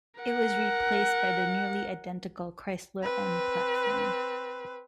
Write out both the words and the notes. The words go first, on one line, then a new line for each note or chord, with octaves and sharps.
It was replaced by the nearly identical Chrysler M platform.
A#4 F#5
C4 B4